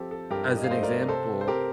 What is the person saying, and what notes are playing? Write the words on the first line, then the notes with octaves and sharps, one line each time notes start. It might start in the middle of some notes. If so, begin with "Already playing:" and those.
as an example
Already playing: F3 C4 G4 A4
A4
G2 G4 A#4
D#5
F5
A3 C5 D#5
A#4 D5
C3 A4 C5
C5
C4 G4 A#4